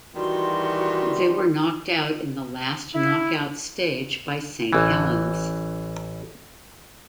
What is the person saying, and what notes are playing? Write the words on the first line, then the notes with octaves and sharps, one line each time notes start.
They were knocked out in the last knock-out stage by Saint Helens.
D#3 E3 G3 F#4 C6
E4
A1 E3